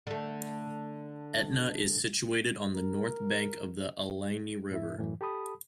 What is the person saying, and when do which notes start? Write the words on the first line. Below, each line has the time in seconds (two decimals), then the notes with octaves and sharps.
Etna is situated on the north bank of the Allegheny River.
0.07 D3 A3
2.76 A#4
4.71 G#2 E4 E5
4.98 F#2 A2 E3
5.21 G4 A4 A5 B5 D#6